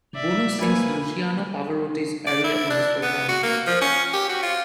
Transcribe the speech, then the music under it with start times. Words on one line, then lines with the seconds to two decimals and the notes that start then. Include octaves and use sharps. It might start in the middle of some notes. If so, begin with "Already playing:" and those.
Bono sings Luciano Pavarotti's aria in this performance.
0.14 D5 E5
0.61 F2 A#3 B4 G#5
2.27 D5
2.44 E4
2.70 D4
3.02 B3
3.29 F#4
3.43 A#3
3.67 F3
3.82 C#4
4.14 G4
4.29 F#4
4.43 F4